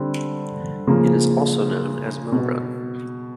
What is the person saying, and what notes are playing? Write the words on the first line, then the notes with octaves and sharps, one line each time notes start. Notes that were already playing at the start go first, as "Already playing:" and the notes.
It is also known as Mill Run.
Already playing: D3 G3 C4
C#3 F3 A#3
B2